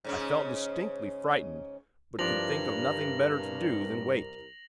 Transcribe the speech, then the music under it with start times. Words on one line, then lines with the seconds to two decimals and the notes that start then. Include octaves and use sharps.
I felt distinctly frightened; but could think of nothing better to do than wait.
0.04 G#2 C#3 C#4
2.19 C2 G2 F3 D4 A#4 A#6 F7 F#7